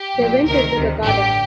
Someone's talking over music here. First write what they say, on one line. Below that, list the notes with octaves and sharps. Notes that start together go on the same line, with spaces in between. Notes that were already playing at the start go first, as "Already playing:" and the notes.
They went into the garden.
Already playing: G4
A#1 A#2
D2 C3 D#3 A#4
D2 C3 D#3
A1 G2 D3 G4